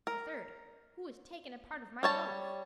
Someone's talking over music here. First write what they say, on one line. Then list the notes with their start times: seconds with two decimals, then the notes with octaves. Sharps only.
The third, "Who has taken part of my loaf?"
0.07 A#4
2.03 G3 C#5 A5